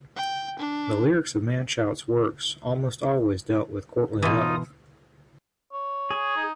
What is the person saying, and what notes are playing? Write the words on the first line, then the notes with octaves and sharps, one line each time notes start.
The lyrics of Machaut's works almost always dealt with courtly love.
G5
D4
B2 E3 D#4 F4 D#6
C#5
G#4
D#4